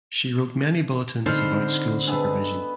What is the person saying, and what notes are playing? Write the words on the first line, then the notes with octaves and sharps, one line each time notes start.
She wrote many bulletins about school supervision.
D3 C4 D#4 C5 B5 F6
B3 D4 A4 D#5